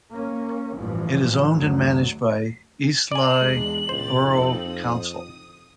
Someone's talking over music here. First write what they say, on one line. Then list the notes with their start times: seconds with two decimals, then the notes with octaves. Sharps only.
It is owned and managed by Eastleigh Borough Council.
0.11 A#3 C#4
0.75 A1 G2 E3 F3
1.54 F#1 D2 F#3
3.12 D5 G#5 A#5 C7 F#7
3.41 E2 G#3 D4
3.89 C#2 A#2 G4 C5 A6
4.20 F2 C4 D#4 A4
4.62 D#6